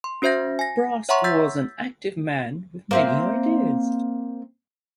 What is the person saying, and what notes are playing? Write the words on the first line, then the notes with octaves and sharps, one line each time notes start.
Brask was an active man with many ideas.
C6
C#4 F#4 C5 E5 G6 A#6
G#5 A#6
C#5 E5 F#5 A#5 C6 C#6
E6 G6 A6 B6
A#3 C4 E5